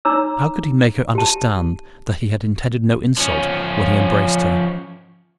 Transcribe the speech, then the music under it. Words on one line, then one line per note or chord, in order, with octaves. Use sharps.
How could he make her understand that he had intended no insult when he embraced her?
D#4 C#5 A#5 D6 E6
G4 A5
F3 C#4